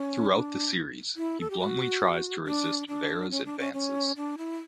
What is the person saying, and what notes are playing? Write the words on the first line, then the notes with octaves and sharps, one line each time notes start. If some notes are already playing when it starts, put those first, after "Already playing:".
Throughout the series, he bluntly tries to resist Vera's advances.
Already playing: C#4
D4
E4
A4
G4
F#4
D4
D4
C#4
D4
C#4
C#4
D4
E4